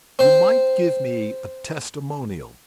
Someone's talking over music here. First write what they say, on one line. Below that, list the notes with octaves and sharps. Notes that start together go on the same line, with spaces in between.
"You might give me a testimonial."
C4 C5